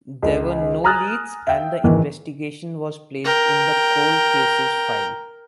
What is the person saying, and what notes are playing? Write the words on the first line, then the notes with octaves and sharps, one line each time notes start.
There were no leads and the investigation was placed in the cold cases file.
C#2
G#5 A#5 D#6 F6 F#6 A6
E5 F5 G5
G#1 D#3 E3
A#4 G5